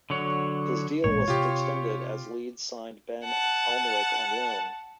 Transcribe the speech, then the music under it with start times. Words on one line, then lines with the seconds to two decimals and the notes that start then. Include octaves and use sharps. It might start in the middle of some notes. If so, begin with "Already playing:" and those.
His deal wasn't extended as Leeds signed Ben Alnwick on loan.
0.10 D3 F#3 C#5
1.04 A1 A#2 G#3 C#5
1.28 C3 F4 G4
3.24 F#5 A5